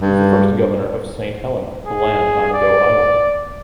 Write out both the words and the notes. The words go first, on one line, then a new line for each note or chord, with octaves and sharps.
He was the first Governor of Saint Helena to land on Gough Island.
G2
G#4
D5